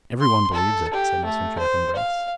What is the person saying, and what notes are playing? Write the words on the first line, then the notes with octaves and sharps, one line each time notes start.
"Every one believes it," said Mr. Chaffanbrass.
C6
A4
G4
A3
C5
F5